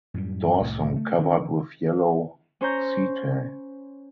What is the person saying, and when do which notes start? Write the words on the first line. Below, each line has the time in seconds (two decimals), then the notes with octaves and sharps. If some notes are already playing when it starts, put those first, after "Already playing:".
Dorsum covered with yellow setae.
0.14 F#2 A2 G3
0.60 C2 A2
0.96 A3
1.18 D#3 F3 C4 D4
2.61 C#4 C5 C#5 A#5 G6